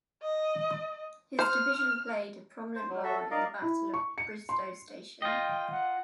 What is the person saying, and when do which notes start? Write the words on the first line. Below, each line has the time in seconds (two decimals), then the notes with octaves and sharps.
His division played a prominent role in the Battle of Bristoe Station.
0.22 D#5
1.39 C5 F6
2.75 C5
2.89 F#3
3.03 F#4 A4 E5
3.16 A4
3.31 A#4 D5 D#5 F5
3.62 E4
3.94 C#6
4.18 C#7
4.49 C6
5.22 F4 D#5 G5
5.71 F#5